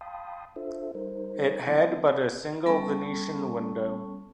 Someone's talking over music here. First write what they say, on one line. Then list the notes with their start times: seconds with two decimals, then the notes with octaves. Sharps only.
It had but a single Venetian window.
0.01 F5 G5 A5 B5 C6 D#6
0.56 D4 F4 A4 C5 E5
0.95 G3 D#4 A#4 C5
1.66 E3 F#3 B3 C4 E4
2.66 G3 B3 C#4 A4 A5 C#6